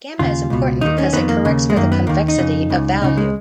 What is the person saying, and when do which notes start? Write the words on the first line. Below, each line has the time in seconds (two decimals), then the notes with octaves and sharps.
Gamma is important because it corrects for the convexity of value.
0.19 D#2 C#3 F4
0.50 C#2 B2
0.81 D#2 D#3 D#4
0.98 C#4
1.13 F2 D#3 B3
1.29 A#3
1.45 D#2 C#3
1.70 G#3
1.76 F#2 D#3 A#3
1.92 B3
2.07 D#2 D#3 A#3
2.28 D#4
2.38 F2 C#3
2.70 C#2 C#3
3.02 C#2 C#3 D#4
3.17 G#3